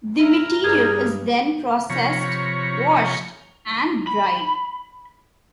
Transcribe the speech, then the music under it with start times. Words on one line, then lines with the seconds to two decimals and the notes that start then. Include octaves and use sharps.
The material is then processed, washed and dried.
0.19 E4 A#5 F6
0.64 G2 G#4
1.90 C3 F3 C#5 A#5 B5 C#6
4.07 B5